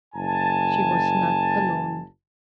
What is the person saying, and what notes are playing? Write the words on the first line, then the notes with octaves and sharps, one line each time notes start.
She was not alone.
F#1 G#5 A5